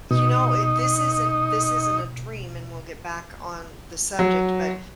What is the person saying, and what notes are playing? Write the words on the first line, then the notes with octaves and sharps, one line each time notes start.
you know, it this isn't this isn't a dream, and we'll get back on the subject, but,
B2 D#4
F#3